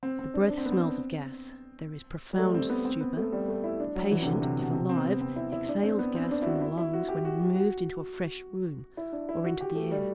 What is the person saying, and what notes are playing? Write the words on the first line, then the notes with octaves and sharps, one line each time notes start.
The breath smells of gas; there is profound stupor; the patient, if alive, exhales gas from the lungs when removed into a fresh room or into the air.
C4
C4
D4
D4
C4
B3
C4
G3
A3
C4
B3
C4
B3
A3
G3
A3
E4
D4
F#3
E3
C3
D3
C3
B2
C3
C4
B3
C4
E4
E4
D4
C4
B3
C4
D4
E4
F#4
E4
E4
F#4
G4
F#4
F#4
F#4
E4
D4
E4
F#4
G4
A3
G3